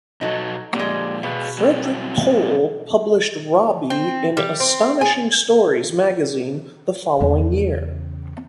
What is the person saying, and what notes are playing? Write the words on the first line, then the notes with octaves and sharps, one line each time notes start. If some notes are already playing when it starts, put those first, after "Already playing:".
Frederik Pohl published "Robbie" in "Astonishing Stories" magazine the following year.
B2 F#3 D#4 F#4 A4
F2 A#2 G3 G#3
B2 G#4 B4 F5
F#3 G3 C4
C4
G3
C4
G#4
E2 C#3